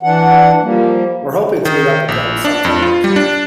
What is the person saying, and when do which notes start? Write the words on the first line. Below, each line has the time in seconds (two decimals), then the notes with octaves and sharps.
We're hoping to meet up with them sometime next week.
0.03 E3 D4 F#5
0.62 F3 G3 A#3
1.65 D#3
2.08 A#1
2.45 D4
2.65 F2
2.82 F4
3.04 G3
3.16 D4